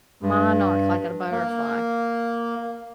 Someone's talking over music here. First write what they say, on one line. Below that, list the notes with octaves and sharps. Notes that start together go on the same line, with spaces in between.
Monarch, like in a butterfly.
G2
A#3